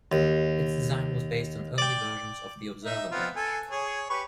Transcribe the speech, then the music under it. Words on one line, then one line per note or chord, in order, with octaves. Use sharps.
Its design was based on early versions of the Observer Badge.
D#2
D5 G5
D#4 E5
B3 C4 F4
A4 G#5
G#4 C#5
G4 B4 C#6